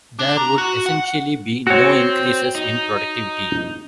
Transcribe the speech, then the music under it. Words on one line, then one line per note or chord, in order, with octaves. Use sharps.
There would essentially be no increases in productivity.
D4
A#5
F#4
F#5
C4 F#4 C#5
D#4